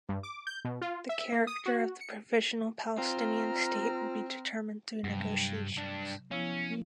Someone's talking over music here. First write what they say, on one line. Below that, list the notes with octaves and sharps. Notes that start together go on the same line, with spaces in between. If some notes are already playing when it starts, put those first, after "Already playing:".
The character of the provisional Palestinian state will be determined through negotiations.
G2
D6
G6
B2
F4
E5
A#3
D#6
F#4
C#7
C4 F4 A#5 F6
G2 C3 F#3
G2 D4
F3 B3 C#4 E4